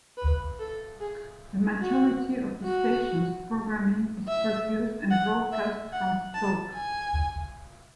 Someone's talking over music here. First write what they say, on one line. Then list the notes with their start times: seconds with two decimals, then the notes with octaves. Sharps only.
The majority of the station's programming is produced and broadcast from Stoke.
0.18 B4
0.60 A4
1.01 G#4
1.82 F#4
2.64 F#4
4.28 E5
5.11 F#5
5.52 E5
5.93 F#5
6.34 A5
6.75 G#5